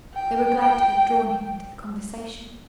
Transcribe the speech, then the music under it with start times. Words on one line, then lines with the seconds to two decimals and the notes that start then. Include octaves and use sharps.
They were glad to have drawn him into the conversation.
0.14 G5